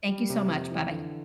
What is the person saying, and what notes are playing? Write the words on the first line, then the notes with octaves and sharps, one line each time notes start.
Thank you so much, bye-bye.
G3
C3
F2
E3
D3